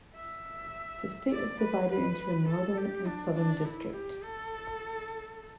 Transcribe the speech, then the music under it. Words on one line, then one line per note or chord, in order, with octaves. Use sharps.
The state was divided into a Northern and Southern district.
E5
D5
B4
B4
A4
G4
D4
D4
E4
G4
A4